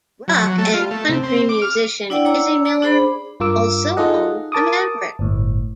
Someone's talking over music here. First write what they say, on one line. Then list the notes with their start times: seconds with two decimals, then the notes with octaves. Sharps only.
Rock and country musician Izzy Miller also owns a Maverick.
0.28 F#3
0.47 F#3
0.58 A3
0.74 F4
0.91 A3
1.09 C3
1.23 C4
1.49 D6
1.62 F6
2.10 D4 E4 D5 F#5 G5
2.25 C#5 D5 A#5 D6 E6
2.65 D5
2.82 D4 G#4 C5 B5
3.40 G2 F4 A#4 D6 E6
3.97 D#4 F4 G#4 A4 D#5 F#5
4.52 A#4 A5 D6 D#6
5.19 G1 A2